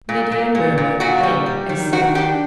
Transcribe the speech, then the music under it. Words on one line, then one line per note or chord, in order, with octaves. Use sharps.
Lydia murmured an assent.
A#2
A#2
A#2
A#2
A#2 F#4
G3
G3
D#3
D#3 F#4
D4 G4